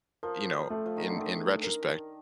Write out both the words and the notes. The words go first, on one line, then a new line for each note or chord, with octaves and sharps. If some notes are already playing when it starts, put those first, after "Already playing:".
you know, in in retrospect,
F3 A#4
G3
F3
A3
F3
D#3
D3
D#3 A3
A#4